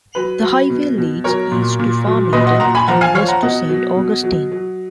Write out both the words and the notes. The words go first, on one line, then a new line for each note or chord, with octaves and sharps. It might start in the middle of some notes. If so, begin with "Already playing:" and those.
The highway leads east to Farmington and west to Saint Augustine.
F#3 B4
F#3
B2
B2
F#3 A#4 C#5
A#2
A#2
F#3
A#2 B4 D#5
D#5 F#5
A#2 F#5 A#5
G#5 B5
F3 F#5 A#5
F5 G#5
F3 C#5 F5
F#5 A#5
B2 D#5 F#5
F#3
B2
F#3
F#3